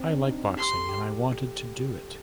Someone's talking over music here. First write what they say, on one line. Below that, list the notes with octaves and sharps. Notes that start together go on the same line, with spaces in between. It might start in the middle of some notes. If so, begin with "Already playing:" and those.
I like boxing and I wanted to do it.
Already playing: C4
D4
D#4
G4 C6
A4
G4